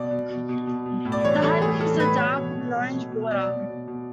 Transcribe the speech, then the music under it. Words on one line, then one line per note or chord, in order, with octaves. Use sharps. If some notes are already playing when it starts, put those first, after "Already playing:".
The hindwings are dark with an orange border.
Already playing: B2 D5
B2
B2
B2
B2
B2
A2
D5
E3 C#5
E3 A4
A2 G#4
E3 A4
A2 B4
B2 C#5
B2
B2
B2
B2
B2
B2 D5
B2
B2
B2